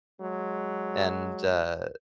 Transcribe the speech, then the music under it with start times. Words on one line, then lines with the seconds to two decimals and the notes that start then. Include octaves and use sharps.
And, uh
0.20 F#3 G#3